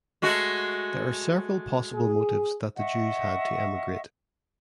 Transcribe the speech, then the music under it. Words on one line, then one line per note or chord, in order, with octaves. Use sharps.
There are several possible motives that the Jews had to emigrate.
G#3 A3 F#4
G#4
D#5 E5 F#5 C#6